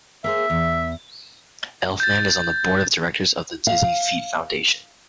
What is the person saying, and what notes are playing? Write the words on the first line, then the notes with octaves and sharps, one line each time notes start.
Elfman is on the Board of Directors of the Dizzy Feet Foundation.
A#3 G#4 C5 E5
E2
G6 A6
F5